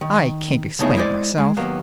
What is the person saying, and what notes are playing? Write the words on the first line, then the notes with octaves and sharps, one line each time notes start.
"I can't explain it, myself."
D#3
C#3 A3 B3 D#4 E4 G#4
G#3 E4 G#4 C5 D5
G#3
D#2 F#3 A#3 B3